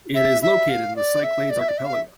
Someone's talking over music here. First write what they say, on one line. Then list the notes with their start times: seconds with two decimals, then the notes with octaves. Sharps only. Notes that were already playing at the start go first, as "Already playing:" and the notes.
It is located in the Cyclades archipelago.
0.14 E5
0.42 E5
0.69 F5
0.96 D5
1.23 E5
1.50 D5
1.59 E5
1.68 D5
1.78 E5
1.86 F5
1.93 E5